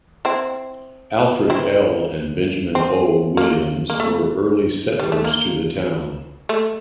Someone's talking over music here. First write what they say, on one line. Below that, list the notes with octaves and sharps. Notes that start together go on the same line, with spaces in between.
Alfred L. and Benjamin O. Williams were early settlers to the town.
C4 E4
C4 E4
C4
A#3
A#3
A3
G3
A3
A#3
A3